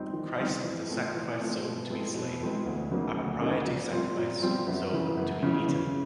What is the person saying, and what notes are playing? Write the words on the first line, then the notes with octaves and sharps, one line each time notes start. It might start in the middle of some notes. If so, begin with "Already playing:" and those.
Christ is a sacrifice-so, to be slain; a propitiatory sacrifice-so, to be eaten.
Already playing: G3 C4 D#4
D#3
G3 C4 D#4
E3
A3 C4 F4
E3
A3 C4 F4
B2
G#3 C4 E4 A4
B2
G#3 C4 E4 A4
D2
C#3 F#3 A#3 D#4
D2
C#3 F#3 A#3 D#4
A#2
G3 C4 F4
A#2
G3 C4 F4
F#2
C#3 E3
F#2
C#3 E3
C#3